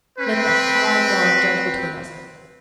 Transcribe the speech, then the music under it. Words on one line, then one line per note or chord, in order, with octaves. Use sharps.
'Let the high God judge between us.
C4 B4